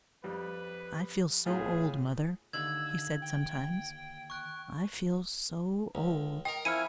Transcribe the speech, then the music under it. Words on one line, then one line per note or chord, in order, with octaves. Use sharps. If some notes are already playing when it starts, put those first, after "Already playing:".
"I feel so old, mother," he said, sometimes; "I feel so old."
F2 G3 B4
A2 F4 G#4
D#2 D3 E6 G#6 F#7
G5
C#6 F#6
C#2
A#4 D#5 G5
F2 E4 G#5 F6 C#7 D#7